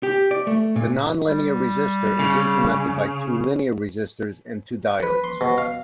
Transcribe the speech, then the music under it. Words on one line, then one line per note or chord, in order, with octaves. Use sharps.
The nonlinear resistor is implemented by two linear resistors and two diodes.
G4
D5
A3
A#2
G3
C#3
B4
C6
B2
F5